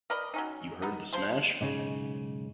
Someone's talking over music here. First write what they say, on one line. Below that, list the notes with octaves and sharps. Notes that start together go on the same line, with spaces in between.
You heard the smash?
A#4 B4 D5 D#5
F#3 C#4 D#4
B3 D#4
F3 C5 C6
B1 G#2 C#3